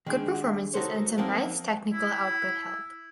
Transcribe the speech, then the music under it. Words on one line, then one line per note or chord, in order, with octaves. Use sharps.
Good performances and some nice technical output help.
D#3 G#3 D4
D#4 F#4 A4 A#4 C5 C#5
F3 F#3 A#3 C4 D#4
E4